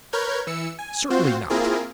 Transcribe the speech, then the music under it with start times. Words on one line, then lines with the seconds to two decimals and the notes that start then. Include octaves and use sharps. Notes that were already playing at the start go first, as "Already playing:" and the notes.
'Certainly not.
0.13 A#4 B4 C#5 F6 G6 G#6
0.47 E3 E6 C#7
0.79 G#5
1.10 C4 F4 F#4 C5
1.50 A#3 C4 E4 F4 G#4 A#4